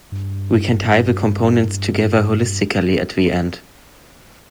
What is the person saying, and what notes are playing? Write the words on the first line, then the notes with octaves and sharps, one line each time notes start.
We can tie the components together holistically at the end.
G2